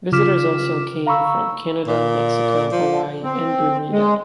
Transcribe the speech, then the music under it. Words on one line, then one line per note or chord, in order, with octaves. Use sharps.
Visitors also came from Canada, Mexico, Hawaii and Bermuda.
C#3 F4 D6 F6 B6 E7
F5 A#5 B5 C#6 E6
A#2
F3
C4
G#3